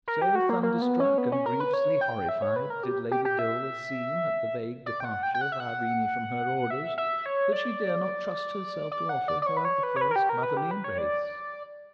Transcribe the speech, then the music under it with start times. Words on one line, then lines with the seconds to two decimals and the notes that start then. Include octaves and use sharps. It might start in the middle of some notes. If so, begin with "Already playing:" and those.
So thunderstruck and grievously horrified did Lady Dilworth seem at the vague departure of Irene from her orders, that she dare not trust herself to offer her the first motherly embrace!
0.08 A#4
0.21 G4
0.35 F#4
0.49 A#3
0.63 A#3
0.82 B3
1.00 C#4
1.18 B3
1.32 C#4
1.46 A#4
1.60 B4
1.74 C#5
2.01 G5
2.29 E5
2.42 C#5
2.56 B4
2.70 A#4
2.83 G4
3.11 G4
3.25 G4
3.39 E5
4.86 D5
5.00 G5
5.05 F#5
5.23 G5
5.34 G5
5.41 F#5
5.52 E5
5.60 F#5
6.70 E5
6.98 E5
7.26 C#5
7.53 D5
8.91 D5
9.09 F#5
9.28 D5
9.42 D5
9.46 C#5
9.57 B4
9.65 C#5
9.83 B4
9.96 C#5
10.01 B4
10.11 A#4
10.16 G4
10.29 A#4
10.43 B4
10.57 G4
10.71 B4
10.84 C#5
10.98 D5